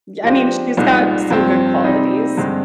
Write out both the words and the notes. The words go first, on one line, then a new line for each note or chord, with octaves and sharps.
I mean, she's got some good qualities.
F3 G#3 D4 G4 C5
C2 A#2 G#3 D#4
G2 F3 C4
C3 G3 C4 D#4
G2 D3 G#3 C4